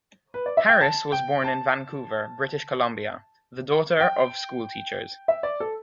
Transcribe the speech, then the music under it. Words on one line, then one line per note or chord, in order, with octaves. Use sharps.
Harris was born in Vancouver, British Columbia, the daughter of schoolteachers.
B4
D5
E5
G5
A5
G5
A5
G5
E5
D5
A4